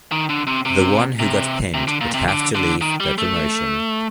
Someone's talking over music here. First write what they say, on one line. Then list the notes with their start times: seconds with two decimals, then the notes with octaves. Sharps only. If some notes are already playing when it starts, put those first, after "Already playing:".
The one who got pinned would have to leave the promotion.
0.12 D#3
0.29 D3
0.47 C3
0.65 C3
1.19 C3
1.74 C3
1.87 D3
2.01 A#2
2.14 C3
2.28 D3
2.55 D3
2.82 D#3
3.00 G3
3.18 A3